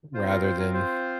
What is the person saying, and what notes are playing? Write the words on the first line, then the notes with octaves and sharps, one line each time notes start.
rather than
C4 F4 C5
A#4
C5
A#4
C5